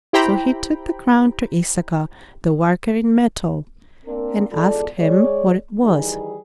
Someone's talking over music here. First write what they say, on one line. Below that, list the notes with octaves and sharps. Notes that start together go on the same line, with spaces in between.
So he took the crown to Issachar, the worker in metal, and asked him what it was.
E4 G4 C5 G5 A#5 B5
A#3 C4 D4 A#4
E2 G#2 F4 A4 D5
G#3 C#5 D5
D#3 E3 G3 D#4 G#4